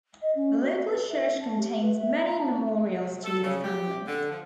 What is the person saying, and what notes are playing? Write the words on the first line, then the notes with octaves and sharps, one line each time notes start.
The local church contains many memorials to the family.
D#5
C#4
F#4
B4
E5
A5
G4
B4
E5
A#5
A5
C3
A4
C#3
G4
D3
F3